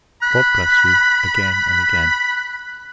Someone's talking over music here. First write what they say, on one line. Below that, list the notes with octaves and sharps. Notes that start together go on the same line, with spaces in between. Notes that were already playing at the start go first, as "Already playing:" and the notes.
God bless you, again and again!
B5 F#6